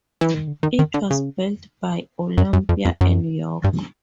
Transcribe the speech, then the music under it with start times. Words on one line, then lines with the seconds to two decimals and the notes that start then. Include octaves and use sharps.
It was built by Olympia and York.
0.21 E3
0.34 D#3
0.47 D3
0.63 D#3
0.79 D#3
0.94 D3
1.10 C#3
2.38 F#2
2.53 F#2
2.69 F2
2.85 F2
3.01 F#2
3.64 G2